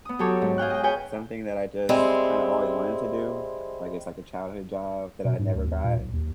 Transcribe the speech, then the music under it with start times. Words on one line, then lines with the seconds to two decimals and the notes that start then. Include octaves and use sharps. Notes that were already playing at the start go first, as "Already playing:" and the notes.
something that I just kinda always wanted to do. Like, it's like a childhood job that I never got.
0.05 B3 D#6
0.19 F#3 G4 A4 C#5 D6
0.42 G#2
0.58 G#4 F5 G5 F#6
0.70 D#5 G5
0.83 G#4 B4 C#5 G5 G#5
1.89 G3 G#3 C4 E4
5.25 B2
5.39 G#2
5.55 D2
5.67 D#2
5.84 A#2
6.00 B1
6.13 D#2